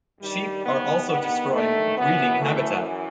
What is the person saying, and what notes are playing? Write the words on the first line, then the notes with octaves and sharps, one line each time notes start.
Sheep are also destroying breeding habitat.
G2 D#3 G3
B3
B3
A3
F#2 E3 B3
A3